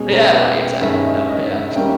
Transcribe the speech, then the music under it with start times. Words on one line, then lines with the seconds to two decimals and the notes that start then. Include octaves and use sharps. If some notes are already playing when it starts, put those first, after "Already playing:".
Yeah, right, exactly no, yeah.
Already playing: B2 G#3 C#4 G#4
0.10 A#4
0.34 B4
0.46 E5
0.57 G5
0.81 G2 D#3 G#3 C#4 E5
1.05 D#5
1.29 D#5
1.52 E5
1.76 D#3 G3 A#3 C#4 G5